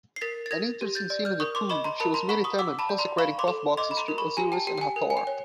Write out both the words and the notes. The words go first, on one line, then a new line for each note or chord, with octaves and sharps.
An interesting scene in the tomb shows Meritamen consecrating cloth-boxes to Osiris and Hathor.
C7
A#4 A6 B6
A6
A#4 G#6 A#6
G4
G6 A6
D5
F6 G6
A#4 C#6 D#6
C6 D6
D#5 B5 C#6
A#5 C6
A#4 A5 B5
A#5 C6
F#5 B5 C#6
C#6 D#6
F#5 D6 E6
A5 B5
D5
A#5 C6
F5 B5 C#6
C6 D6
A4
D#5 C6 D6
B5
A#5 C6
A#4
B5 C#6
G4 G#5 A#5
G5 A5
G4 G5
G5
G#5
A#4
G#5
G5
C#5